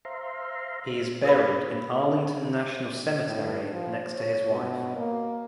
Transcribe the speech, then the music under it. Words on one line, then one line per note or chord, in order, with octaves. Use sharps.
He is buried in Arlington National Cemetery next to his wife.
C5 E5 F5 A#5 C6
A#4 B4 F5 B5
A2
F3
C#5
B2
A#3